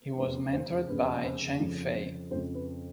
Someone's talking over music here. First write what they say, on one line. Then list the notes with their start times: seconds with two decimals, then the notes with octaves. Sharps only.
He was mentored by Chang Fei.
0.17 F1 E2 C#3 B4
0.53 C5
0.88 F1 E2 C#3 B4
1.24 C5
1.60 F2 C#3 F3
1.96 C5
2.31 F2 C#3 F3 C5
2.55 B4